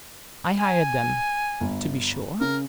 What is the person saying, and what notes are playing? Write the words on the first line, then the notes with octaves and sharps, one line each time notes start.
I hired them, to be sure.
G#5
G1
C#3 A#4